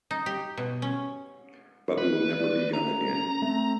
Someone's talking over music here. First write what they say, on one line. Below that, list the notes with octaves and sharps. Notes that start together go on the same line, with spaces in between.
But we will never be young again.
D#4
G4
B2
C#4
B4
D5
C#4 A#5
A3 C4